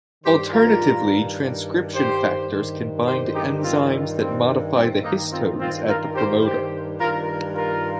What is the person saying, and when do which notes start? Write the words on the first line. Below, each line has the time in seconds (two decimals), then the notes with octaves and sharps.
Alternatively, transcription factors can bind enzymes that modify the histones at the promoter.
0.24 G2 D#3 G4 C5
0.52 F4 A#4
1.93 G4 C5
2.49 G2 D#3
3.06 G4 C5
3.33 D#4 G4
3.62 C4 F4
4.19 C4
4.75 G2 D#3 C4
5.03 A#3 D#4
5.31 C4 F4
5.60 C4 F4
5.87 F4 A#4
6.15 G4 C5
6.43 G4 C5
7.00 G2 D#3 F4 A#4
7.55 F4 A#4